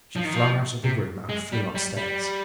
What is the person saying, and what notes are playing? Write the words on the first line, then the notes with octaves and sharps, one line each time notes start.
She flung out of the room and flew upstairs.
F3
D#3
F3
C3
G#3
G3
G3
G3